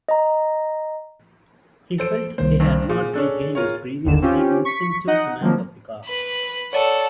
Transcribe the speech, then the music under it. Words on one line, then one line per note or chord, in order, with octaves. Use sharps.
He felt he had not regained his previously instinctive command of the car.
D#5 A#5
A4 C5 D7
C2 D#3 A#3 C5
F1 G2 C4
A#2 G#4
C#4 D4 A4
F4 A#4 C#5
G1 D#2 D3 E7
C4 C#4 F4 G4
C#6 B6 C#7
D#4 D#5 F#5
D#3 F3 F#3 A#3
B4 B5
A4 C#5 D5 F#5 A5